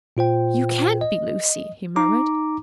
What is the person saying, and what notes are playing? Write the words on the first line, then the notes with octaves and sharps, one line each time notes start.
"You can't be Lucy!" he murmured.
A#2 F4 C5 G5
D#5
D#4 A#5 D6